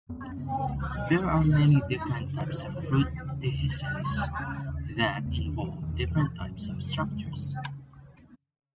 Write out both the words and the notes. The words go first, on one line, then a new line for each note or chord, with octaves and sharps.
There are many different types of fruit dehiscence, that involve different types of structures.
F#2 B3
C#4
C#3 B3
B3
C#2 G#3
D#3
E3
B2 F#3
E3
C#2
B2
F#2
C#3
F#2 D#3
C#3 F#3
E3
D#3
D#2 E3
C#3
D#2
C#3
F#3
D#2 G#3
C#3 C#4
D#2
C#3
A3
E2 B3
E3
D#3
B2
E3
E2 D#3
B2 E3
F#2 F#3
G#3
C#3 F#3
F#2 G#3
G#3
C#3 E3